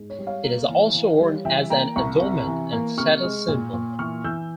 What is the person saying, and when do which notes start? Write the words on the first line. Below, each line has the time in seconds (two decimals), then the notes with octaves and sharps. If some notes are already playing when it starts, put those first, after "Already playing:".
It is also worn as an adornment and status symbol.
Already playing: G#2
0.10 C#5
0.19 G3
0.27 C#5 F5
0.44 A#3
0.69 E3
0.95 E3
1.20 G3
1.45 E3 E5 G5
1.70 A#3 G5 A#5
1.96 C2 A#5 C#6
2.21 C3
2.47 E3
2.73 A#3
2.97 C3 C#6 F6
3.23 G#3
3.48 A#2
3.73 A#2
3.99 E3 C#6 F6
4.24 E3 E6 G6